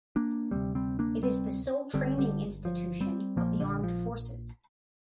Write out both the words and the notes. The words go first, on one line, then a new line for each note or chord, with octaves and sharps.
It is the sole training institution of the armed forces.
A#3 D4
D2 C3 G3 C4
G3 C4
A#3 D4
G3 C4
G1 G2 D3 G3 C4
D3 G3
F3
G3 C4
A#1 A#2 F3 A#3
D3
F3